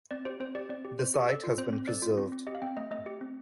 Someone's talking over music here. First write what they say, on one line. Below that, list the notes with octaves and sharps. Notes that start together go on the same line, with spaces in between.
The site has been preserved.
C4 D5
G4 C5
C4 C5
G4 D5
C4 D5
G4
C4 C5
G4
A4 D5
F4
C4 C5
C4
A4 D5
F4
C4
C4
G4 D#5
F5
C4 G5
A3 D#5
A3 D#5
G4
C4